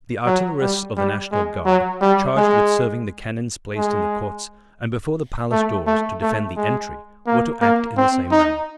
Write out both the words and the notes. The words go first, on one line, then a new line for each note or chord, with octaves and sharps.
The artillerists of the National Guard, charged with serving the cannons placed in the courts and before the palace doors to defend the entry, were to act in the same manner.
F#3
G3
G3
G#3
F#3
G3
G#3
G#3
A3
A3
A3
G#3
A#3
A#3
C4
D#4